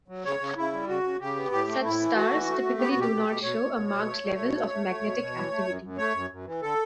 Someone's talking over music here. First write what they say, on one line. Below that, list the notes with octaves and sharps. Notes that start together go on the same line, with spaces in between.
Such stars typically do not show a marked level of magnetic activity.
F#3
C#3 C#5
C#3
C#3 E4
G3
C#3 F#4
C#3
C#3 G4
B3
A2 G4
A3
A2 E4
E3
A3 F#4
E3
A3
A3
B3 G4
F#4
B2
G4
B2
B2
B2 C#5
B2
B2
B2
A3
A3
B2
A3
A3
A3
B2
B2
E3
A3
F#2
F#2
A3 C#5
F#2
F#2
E3
D3 A4